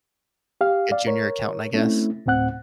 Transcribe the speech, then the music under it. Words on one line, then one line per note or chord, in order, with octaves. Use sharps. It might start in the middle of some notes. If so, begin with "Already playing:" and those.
a junior accountant, I guess,
G4 F5
D5 F5
A#4 C#5
A3 C4 C#4 E4
D2 A2 C4 F#5 F#6